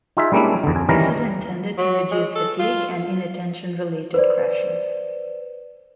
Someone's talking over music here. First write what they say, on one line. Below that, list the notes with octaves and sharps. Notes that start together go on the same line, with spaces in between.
This is intended to reduce fatigue and inattention-related crashes.
D#4 F4 G#4 E5
G3 G#3 A#3 C#4 D4 E4
E2 D3
F2 G#5
D#3 E3 G3 C#4 F5 A#5
F#3
G#3
A4
F4
B4 C5 D5